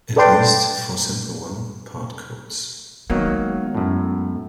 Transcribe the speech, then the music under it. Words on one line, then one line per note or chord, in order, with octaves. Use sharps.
At least, for simple one part codes.
A4 B4 D5 G5 C6
D#3 F#3 G#3 A#3 B3
F#2 A2